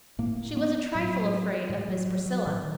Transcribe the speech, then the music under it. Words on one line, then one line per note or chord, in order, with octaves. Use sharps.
She was a trifle afraid of Miss Priscilla.
A2 A#3
B3
A2 F#3
A2 G3
F#3
F#3
F#3
A2 D#3